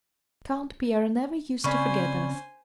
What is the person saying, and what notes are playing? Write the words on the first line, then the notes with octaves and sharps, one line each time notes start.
Count Pierre never used to forget us.
C#3 C4 C#4 C5 D5 G#5 B5 C#6